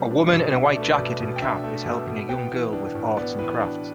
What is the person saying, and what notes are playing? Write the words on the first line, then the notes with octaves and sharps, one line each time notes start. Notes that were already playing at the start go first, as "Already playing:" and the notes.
A woman in a white jacket and cap is helping a young girl with arts and crafts.
Already playing: B2 G3 B3
D4
B2
D4 E5
D5
A3
B4
B2 D5
B2
G5
D4 E5
A3
B2
B2
B3 G5
E3
D4
A2
B3 D5
E3 B4
D4